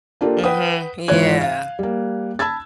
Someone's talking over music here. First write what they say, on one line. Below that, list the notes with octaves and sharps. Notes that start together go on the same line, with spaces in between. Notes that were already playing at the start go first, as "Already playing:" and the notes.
Mhm, yeah.
A#3 D4 F4 G4 A4 A#4
B4 F#5 G5 D#6
G#1 E3 F4 C#5 F#6 G#6
F5
G3 A#3
A5 B5 E6 G#6 A6